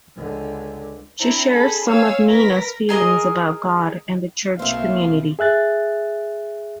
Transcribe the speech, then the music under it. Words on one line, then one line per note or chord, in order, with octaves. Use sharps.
She shares some of Ninah's feelings about God and the church community.
C#2 D3
C4 D4 E4 C5 A5 A#5
G#4 A4 B5
C#5 F5 G#5 E6
A#4 B4 A#6 B6
G#4 A#4 D#5 A#5
B1 B2 A#3 C4 C5 E5 F5
G#4 E5 F#6 A6